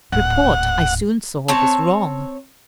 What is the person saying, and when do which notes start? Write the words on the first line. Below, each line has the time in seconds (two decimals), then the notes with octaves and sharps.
Report, I soon saw, was wrong.
0.12 D1 G#2 F#5
1.48 C4 C#5 A5